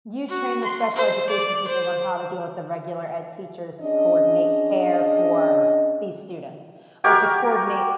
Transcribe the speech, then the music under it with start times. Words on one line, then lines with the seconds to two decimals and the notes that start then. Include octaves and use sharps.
you train the special education teachers on how to deal with the regular ed teachers to coordinate care for these students or to coordinate,
0.30 F#4
0.64 C6
0.96 C5
1.30 D5
1.68 C5
3.81 C#4 D4 G#4 D#5
7.04 F#4 G4 A#4 G#5